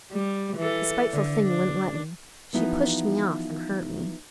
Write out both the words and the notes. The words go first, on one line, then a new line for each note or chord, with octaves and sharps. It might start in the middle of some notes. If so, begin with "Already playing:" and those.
The spiteful thing wouldn't let me: she pushed me off, and hurt me.
G3
E3 A4
D3
D4
E3 F3 B3 D#4 E4 F#4